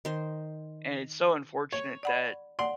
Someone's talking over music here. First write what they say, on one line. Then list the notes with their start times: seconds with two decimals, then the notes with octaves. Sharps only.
and it's so unfortunate that
0.05 D#3 C5
1.72 C#5
2.03 D5 F#5 B5
2.59 D5 F#5 C6